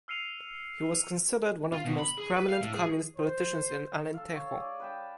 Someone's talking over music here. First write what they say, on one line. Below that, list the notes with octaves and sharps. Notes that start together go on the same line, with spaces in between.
He was considered one of the most prominent communist politicians in Alentejo.
E6 F6 C7 C#7 D#7 F7
F4
B2
B5
G#4
B4
F5
A2
G#4
C5
A4 F5
C#5
G#4 D5
B4 G5 A5